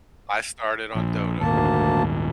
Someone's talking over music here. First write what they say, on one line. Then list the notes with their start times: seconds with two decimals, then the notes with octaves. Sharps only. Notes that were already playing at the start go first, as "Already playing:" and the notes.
I started on Dota.
0.95 A#1
1.41 D#1 G#1 D2 A#3 A5